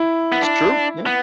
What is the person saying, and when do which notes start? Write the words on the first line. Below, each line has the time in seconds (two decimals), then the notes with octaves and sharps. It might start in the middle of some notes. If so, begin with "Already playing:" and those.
I It's true, yeah.
Already playing: E4
0.32 B3
0.42 D4
1.06 B3